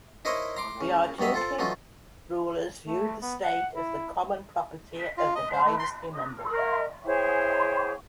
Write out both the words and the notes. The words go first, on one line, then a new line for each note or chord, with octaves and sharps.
The Artuqid rulers viewed the state as the common property of the dynasty members.
D#4 E4 A#4 C5 C#5 D#5
A#5 C6 D6
C#3
G2 F#3 B3 D#5 E5
F4 A4 C5
E3 F#3 A3 D#4 F4
A3
B3
F#5
E4
F4
D#5
C5
A3
C6
A#4
E4 G#4 C5 C#5